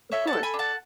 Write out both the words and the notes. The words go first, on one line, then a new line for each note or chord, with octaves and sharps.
Of course.
A4 C#5 E5
F#5 A5
A4
G#5 B5
D4
F#5 A5